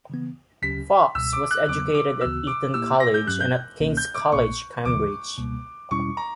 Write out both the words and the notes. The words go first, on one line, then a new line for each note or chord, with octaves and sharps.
Foxe was educated at Eton College and at King's College, Cambridge.
C#3 E3 B3
D2 C#3 F#3 C#4 G4 B6
C#2 B2 G3 E6
D6
F#6
E2 C#3 F#3 B3 D6
D6
D2 C#3 E3 B3 F#4 E6
D6
A#2 A#3 E4 G4 E6
A#6
G6
G2 F#3 C#4 G4 F#6
G6
C#2 B2 A#3 C#4
G6
D6
A#1 A#2 A#3 C#6
D2 C#3 E3 D6
C#2 B2 G3 A#3
E2 B2 G3 C#4 E4 C#6
A#5